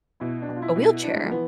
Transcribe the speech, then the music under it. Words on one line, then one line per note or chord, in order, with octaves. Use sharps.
a wheelchair.
B2 E4
D4
B2
F4
E4
B2
E4
D4 E4
G#3
F3
E3 B3